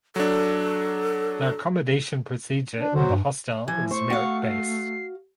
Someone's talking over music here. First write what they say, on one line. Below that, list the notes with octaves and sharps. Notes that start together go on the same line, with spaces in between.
The accommodation procedure in the hostel is merit based.
F#3 D4 A4
D4
D3 F#3 F#4 C5
G2
E3 F3 G#6
A3 C5 C#6
F#4 F5
C7